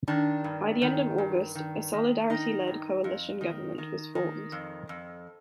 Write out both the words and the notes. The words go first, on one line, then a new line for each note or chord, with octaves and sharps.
By the end of August, a Solidarity-led coalition government was formed.
D#3 D4
G2
D#3
G2
D#3
D#3
D#3 D#4
G2
F2
D#3
D#3
D#3
F2
F2